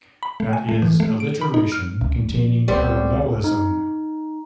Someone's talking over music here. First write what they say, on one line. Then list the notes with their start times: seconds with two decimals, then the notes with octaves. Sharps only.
That is, alliteration containing parallelism.
0.23 B5
0.40 A3
0.53 G#5
0.69 A3
0.82 E3
1.00 A3
1.20 D7
1.41 B5
1.54 D#4
1.72 F6
2.01 C#2
2.30 F3
2.68 C#2 G3 B3 C4 D#4
3.44 D#4